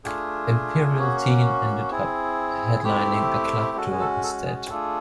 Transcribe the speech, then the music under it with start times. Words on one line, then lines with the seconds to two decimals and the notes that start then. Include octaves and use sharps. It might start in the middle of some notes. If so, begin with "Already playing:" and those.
Imperial Teen ended up headlining a club tour instead.
0.04 A3 D4 F4 G#4
0.98 A#3 C#4 F#4
1.90 C4 E4 G#4
2.83 A3 C4 E4 G4
3.77 G#3 C#4 F#4 A4
3.92 G#4
4.00 A4
4.23 A4
4.47 G#4
4.70 A3 D4 F4 G#4 A4